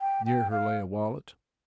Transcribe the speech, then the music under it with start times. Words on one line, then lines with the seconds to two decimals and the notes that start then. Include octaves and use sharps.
Near her lay a wallet.
0.01 G5
0.26 G5
0.51 F5